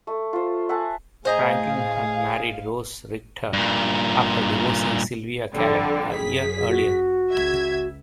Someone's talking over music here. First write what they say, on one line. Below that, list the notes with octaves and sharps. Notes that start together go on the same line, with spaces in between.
Franklin had married Rose Richter after divorcing Sylvia Calen a year earlier.
A3
F4 C5
E5 F#5 G#5 A5
A2 G#4 C5 D#5 F5 A#5
G2 A#2
F2 D3 G3
F#2 G#4 B6
F#4
C#2 E5 G#6